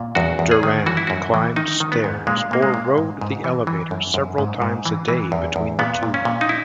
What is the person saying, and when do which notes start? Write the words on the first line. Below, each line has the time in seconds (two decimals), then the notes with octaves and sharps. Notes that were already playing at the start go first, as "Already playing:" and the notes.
Durand climbed stairs or rode the elevator several times a day between the two.
Already playing: A#2
0.15 E2 F#4
0.39 E2
0.51 G#4
0.63 D#3
0.86 E3 F#4
0.97 E4
1.07 F#2 F#4
1.34 E3
1.56 D#3 D#4
1.80 D#3
1.92 B3
2.04 G#2
2.27 A#2 G#3
2.51 A#2 A#3
2.62 G#3
2.74 A#2
2.98 G#2
3.21 G#2
3.44 E3
3.67 E3
3.91 F#2
4.14 F#2
4.38 G#2
4.62 G#2
4.86 E3
5.08 E3
5.32 E2
5.56 E2
5.79 A#2 B3
6.03 A#2
6.14 C#4
6.25 A#2
6.41 D#4
6.49 E4